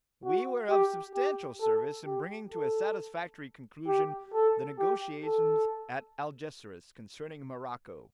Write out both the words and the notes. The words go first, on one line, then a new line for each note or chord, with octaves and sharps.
We were of substantial service in bringing to a satisfactory conclusion the negotiations at Algeciras concerning Morocco.
F#4
G4
G4
A4
G4
A4
G4
A4
G4
A4